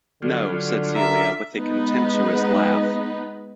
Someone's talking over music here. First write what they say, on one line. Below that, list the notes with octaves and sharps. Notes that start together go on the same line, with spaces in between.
"No", said Celia, with a contemptuous laugh.
D3 F#3 G3 F4
D3
D4 F4 E5 A#5
G#3 B3 D#4 B4